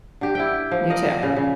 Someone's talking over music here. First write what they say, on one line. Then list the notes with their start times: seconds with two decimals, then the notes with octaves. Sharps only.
You too.
0.21 D3 G4
0.35 E4 E5 G5
0.71 F3
0.90 A#4 D5 D#5
1.22 A#2 C#3
1.36 C#3